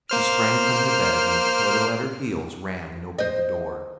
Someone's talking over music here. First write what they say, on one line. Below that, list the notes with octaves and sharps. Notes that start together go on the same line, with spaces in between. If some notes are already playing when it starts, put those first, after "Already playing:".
She sprang from her bed and with Toto at her heels ran and opened the door.
A#3 C5 F6
C5 D#5